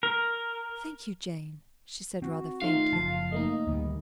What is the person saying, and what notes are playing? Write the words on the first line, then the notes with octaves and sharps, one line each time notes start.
"Thank you, Jane," she said rather faintly.
A#4
C4 F#4
D#3 A3 D#4 F4 F5
F#1 F3 A5
A3 A#3 D#4 D#5
D2 D#3 G3